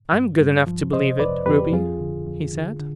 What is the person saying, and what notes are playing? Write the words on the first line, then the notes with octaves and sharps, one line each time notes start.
"I'm good enough to believe it, Ruby," he said.
G2
G2
F3
C3 C5 D#5
F2 B4 D5
F2 G4 B4
F2 F4 G#4
D3
F2
D3
D3